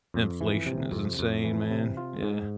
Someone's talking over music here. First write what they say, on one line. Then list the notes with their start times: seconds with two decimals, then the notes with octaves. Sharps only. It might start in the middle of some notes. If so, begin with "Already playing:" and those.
Inflation is insane, man, yeah.
0.14 F2
0.41 E3
0.66 C3
0.92 F2
1.19 F2
1.44 E3
1.71 C3
1.97 F4
2.23 G#2